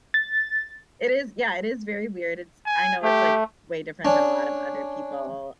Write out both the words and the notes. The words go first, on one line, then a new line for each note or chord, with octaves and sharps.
it is yeah, it is very weird. It's I know it's, like, way different than a lot of other people
A6
G#5
A3 G4
C#4 D4